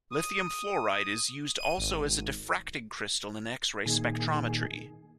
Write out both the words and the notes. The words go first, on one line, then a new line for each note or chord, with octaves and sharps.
Lithium fluoride is used also as a diffracting crystal in X-ray spectrometry.
D#6
D#7
G#1
A#2 D#3 G#4